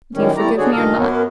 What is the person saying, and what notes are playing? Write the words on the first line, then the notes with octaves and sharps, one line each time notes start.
Do you forgive me or not?
F#2 A2 D#3 G3 C#4
E2 G3 A3 E4 D5 A#5
D3 G#3 F#4 G#4 C#5 D5
G2 A#2 D#3 A4 D#5 F5
F#2 F#3 A#3 B3 C#4